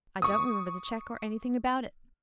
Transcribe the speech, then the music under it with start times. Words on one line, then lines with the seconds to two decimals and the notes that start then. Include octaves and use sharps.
I don't remember the cheque or anything about it.
0.22 C#6 D#6